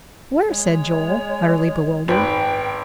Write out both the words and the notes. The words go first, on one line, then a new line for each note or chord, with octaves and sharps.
"Where?" said Joel, utterly bewildered.
G#3 C#5
G#1 B4 G5 B5